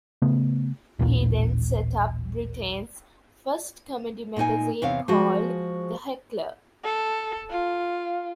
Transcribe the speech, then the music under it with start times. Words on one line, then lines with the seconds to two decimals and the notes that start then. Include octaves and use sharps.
He then set up Britain's first comedy magazine called "The Heckler".
0.22 C#3 A3 B3
0.99 A1 D#2 A#2
4.37 A#2 A#3 D#4 G#5
4.82 E2 C3 C#5 F5
5.08 F3 G#3 F#4 G#4
6.84 A4
7.50 F4